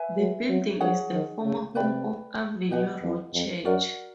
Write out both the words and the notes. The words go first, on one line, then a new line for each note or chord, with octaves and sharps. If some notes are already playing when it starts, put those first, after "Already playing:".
The building is the former home of Avenue Road Church.
Already playing: B4 E5 G#5
F#3
F#3
F3 G#4 C#5 F#5
D#3
C#3
C3 B4 D5 G5 B5
B2 G4 B4 D#5 F#5
F2
F2
F#2 F#4 A#4 D5 F#5